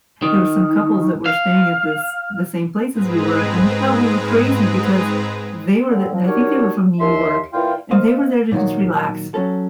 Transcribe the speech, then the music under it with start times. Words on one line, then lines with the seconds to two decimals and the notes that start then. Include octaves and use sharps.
there were some couples that were staying at this the same place as we were, and they thought we were crazy because they were the I think they were from New York, and they were there to just relax.
0.22 D#3
1.26 F5
2.92 G#2 G#3 C4 G#4 B4 A#5
5.90 D3 F#3 C4
6.12 F3 F#3
6.26 F#3 D4 D#4 G4 A#4 C#5
6.99 D#2 E5 C6
7.52 A#2 E3 E4 F4 F5 G5
7.91 A#3 C5 D#5 F5
8.52 A#2 D#3 E3 F#3
9.34 F#3 C#4 A4